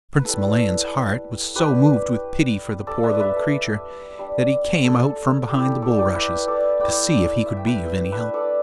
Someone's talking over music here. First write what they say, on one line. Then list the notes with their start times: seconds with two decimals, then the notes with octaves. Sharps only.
Prince Milan's heart was so moved with pity for the poor little creature that he came out from behind the bulrushes, to see if he could be of any help.
0.19 B4
0.25 G3 E4 A4
1.55 A3 D4 G4 B4
2.87 G3 D4 A4 D5
3.03 B4 E5
3.20 B4 E5
3.37 A4
4.19 G3 D4
4.84 A4
5.06 A4
5.28 A4
5.49 G3 E4 G4
5.59 G4
5.66 A4
5.82 A4 D5
5.98 D5 G5
6.09 G5
6.15 B4 E5
6.47 A4 D5
6.80 A3 E4 D5 G5
7.46 E5
7.57 G5
7.67 B4 E5
8.12 A3 D4 B4 E5
8.34 A4 D5